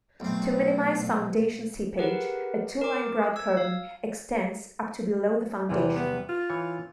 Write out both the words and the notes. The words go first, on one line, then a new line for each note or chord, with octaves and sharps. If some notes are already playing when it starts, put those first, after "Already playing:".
To minimize foundation seepage, a two-line grout curtain extends up to below the foundation.
B1 B2 A3 C4
G4 G#4 A#4 B4 F#5
A#4 D6
E6 G#6
F5
E2 C3 E3 G3
B3
F4
E3 C#5